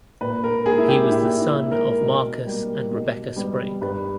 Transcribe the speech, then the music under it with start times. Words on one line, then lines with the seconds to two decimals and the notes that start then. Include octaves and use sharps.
He was the son of Marcus and Rebecca Spring.
0.21 A#2 B4
0.44 A#4
0.66 A#3 G#4
0.78 E4
0.88 G4
1.11 A#2 E4
1.41 E4
1.56 A#3
1.71 A#4
2.01 B2
2.46 G3 A#3
2.91 B2
3.36 G3 B3
3.81 G2 B4